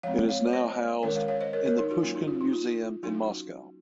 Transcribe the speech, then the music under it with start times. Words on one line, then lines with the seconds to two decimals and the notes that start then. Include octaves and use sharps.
It is now housed in the Pushkin Museum in Moscow.
0.03 F3 G#3 C4 C#5 F5
0.29 C#5 F5
0.53 C5 D#5
1.03 D#3 G#3 C#4 A#4 C#5
1.16 C#5 F5
1.28 C#5 F5
1.41 C5 D#5
1.53 A#4 C#5
1.66 A#4 C#5
1.79 D#4
1.91 D#4 F#4
2.03 F#3 A#3 C#4 F4
2.16 D#4
2.28 F4
2.41 D#4
2.53 F4
3.03 F#3 A#3 C#4 D#4 F#4